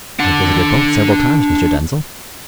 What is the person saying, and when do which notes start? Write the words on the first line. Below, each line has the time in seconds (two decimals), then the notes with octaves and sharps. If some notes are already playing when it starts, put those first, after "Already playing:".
"I've visited both several times, Mr. Denzil."
0.19 D4 F#5